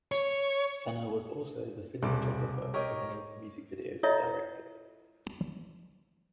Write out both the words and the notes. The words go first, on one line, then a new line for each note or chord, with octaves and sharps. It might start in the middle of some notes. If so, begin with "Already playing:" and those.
Sena was also the cinematographer for many of the music videos he directed.
C#5
D#1 C2 B2 D6
G4 A#4 C#5 D#5
E4 F4 A4 C#5 D#5 E5